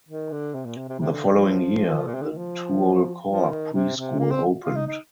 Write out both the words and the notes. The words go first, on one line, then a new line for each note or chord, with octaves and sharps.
The following year the Tuol Kork preschool opened.
D#3
D3
C3
A#2
C3
C3
C3
D3
D#3
F3
A#2
C3
D3
D#3
F3
F3
D#3
C3
C3
A#3
C4
F4
D#4
D#4